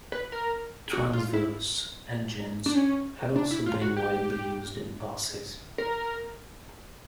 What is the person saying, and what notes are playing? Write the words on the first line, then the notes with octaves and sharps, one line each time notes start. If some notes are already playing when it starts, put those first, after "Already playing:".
Transverse engines have also been widely used in buses.
B4
A#4
F#4
F4
E4
D4
C#4
D4
E4
F4
F#4
G4
A#4